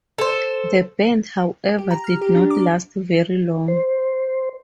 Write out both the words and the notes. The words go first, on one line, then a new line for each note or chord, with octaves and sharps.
The band however did not last very long.
A4 C5
G4
A#5
F6
G4
D4
D6
C5